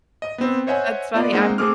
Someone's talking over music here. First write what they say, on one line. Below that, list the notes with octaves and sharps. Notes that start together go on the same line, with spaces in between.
That's funny, I'm
D#5
B3 C4
C5 C#5 D#5 E5 F#5 G#5
B3 F4 D5 D#5
G#3 A#3 C4 D#4 F#5
A3 C4 G#4 D6 F6